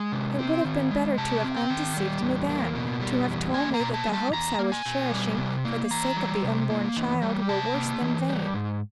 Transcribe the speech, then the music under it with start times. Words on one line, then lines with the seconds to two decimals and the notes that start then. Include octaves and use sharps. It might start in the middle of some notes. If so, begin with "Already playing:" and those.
"It would have been better to have undeceived me then; to have told me that the hopes I was cherishing for the sake of the unborn child were worse than vain."
Already playing: G#3 G#5
0.12 C3
0.38 C4
0.64 D#3
0.91 G#3
1.18 C3 A5
1.44 C4
1.56 G5
1.70 D#3
1.97 G3
2.22 E2
2.49 A#3
2.75 B2
3.01 G3
3.28 E2
3.54 A#3 G#5
3.74 A#5
3.80 B2
3.94 A5
4.06 G3
4.13 A5
4.33 E2 A#5
4.59 A#3
4.72 G#5
4.86 B2
5.12 G3
5.38 C3
5.65 A#3
5.91 E3 A#5
6.17 G3
6.44 C3
6.70 A#3
6.96 E3
7.22 G3
7.49 C3 A5
7.74 A#3
8.01 E3
8.28 G3
8.54 G#2